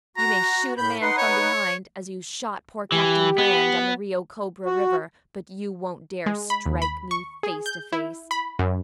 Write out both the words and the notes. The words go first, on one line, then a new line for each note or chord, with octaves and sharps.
You may shoot a man from behind, as you shot poor Captain Brand on the Rio Cobra River, but you won't dare strike me face to face.
F#4 A#5
A2 B5 G6
D#4 B4 F#5 C6
C#5
E3 G4
B3
F#4
G#3
B5
D#2
B5
C#6
G#4
G6
E4
B5
F#2